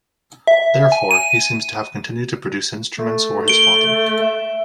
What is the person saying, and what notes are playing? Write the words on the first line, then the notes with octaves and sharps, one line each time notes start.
Therefore, he seems to have continued to produce instruments for his father.
E5
G#5
D#7
A3
D7 G7
E5